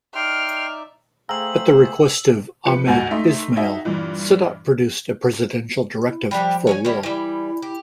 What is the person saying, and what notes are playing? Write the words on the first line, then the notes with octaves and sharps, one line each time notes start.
At the request of Ahmed Ismail, Sadat produced a presidential directive for war.
D#4 D5 E5 G5 C6 F6
A3 G#4 C5 F5 G5 A#5 E6 F#7
F3 B4 C#7
D2 G#2 F#4 G#5 A6
A3 D#4 E5 C6
D#4 F#4 G#4 E5
G2 A#2 E3
E4
F3 G3 D4 G4
C#5 D#5 G#5
D#3 G3 E4
E3 G3 E4
G4